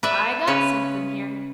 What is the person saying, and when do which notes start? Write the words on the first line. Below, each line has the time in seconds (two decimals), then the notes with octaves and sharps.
I got something here.
0.03 B4 D5 E5
0.47 C#3 C#4 B4